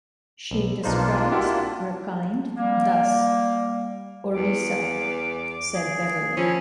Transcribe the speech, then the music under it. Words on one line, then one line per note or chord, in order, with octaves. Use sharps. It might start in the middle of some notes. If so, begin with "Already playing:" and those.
She describes her kind thus: "Orisa," said Beverley.
B1
B1 A#3 D4 D#4 F4 C5
E4 F#4 G4
G3 A#3
E2 D6
G#4
F3 C#4 E4